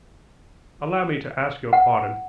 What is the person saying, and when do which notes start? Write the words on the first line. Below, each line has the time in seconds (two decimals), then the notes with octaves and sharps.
Allow me to ask your pardon.
1.73 F#5